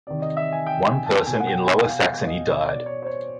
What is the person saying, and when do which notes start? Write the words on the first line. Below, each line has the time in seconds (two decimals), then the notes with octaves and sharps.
One person in Lower Saxony died.
0.07 C3 D#3 D5
0.22 D#5
0.37 E5
0.52 G#5
0.66 G5
0.87 G#5
1.06 A5
1.27 B2 G#5
1.40 F#5
1.47 G5
1.67 G#5
1.87 F5
2.06 F5
2.27 D#5
2.46 B2 C#5
2.67 D5
2.86 C#5
3.02 C5
3.06 C#5